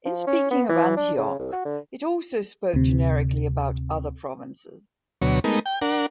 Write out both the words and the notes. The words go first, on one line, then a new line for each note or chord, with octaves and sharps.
In speaking of Antioch, it also spoke generically about "other provinces".
F3
C#4
B3
E3
D4
C#3
C2
F#4
D3
D2 C3
D2 B2 F#3 C#5
G#3 A3 B3 D#4 A#4
G5
D4 A#4 F#5